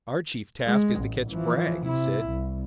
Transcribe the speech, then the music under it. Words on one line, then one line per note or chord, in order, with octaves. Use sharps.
"Our chief task is to catch Bragg," he said.
G#3
A1
E3 F3
C3 E4
C2